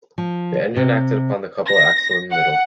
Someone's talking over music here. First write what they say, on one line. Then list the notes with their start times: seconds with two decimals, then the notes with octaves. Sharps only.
The engine acted upon the coupled axle in the middle.
0.18 F3
0.77 C3
1.68 A#6
2.30 F#5